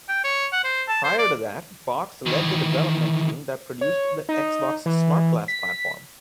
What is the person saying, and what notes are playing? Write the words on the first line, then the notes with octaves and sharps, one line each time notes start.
Prior to that, Box led the development team that produced the Xbox SmartGlass platform.
G5
C#5
F#5
C5
A5
C5
D5
D#3 E3
C#5
D#4
E3
B6